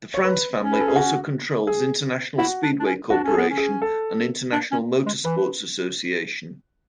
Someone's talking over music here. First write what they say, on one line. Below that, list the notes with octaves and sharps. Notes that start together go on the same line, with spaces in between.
The France family also controls International Speedway Corporation and International Motor Sports Association.
C#5
B4
C#4
B4
A4
G#4
F#4
G#4
E4 F#4
D4
D4
C#4
D4 F#4
C#4 A4
G#4
B3
C#4
G#4
A4
D4
C#4
G#3
E3 B4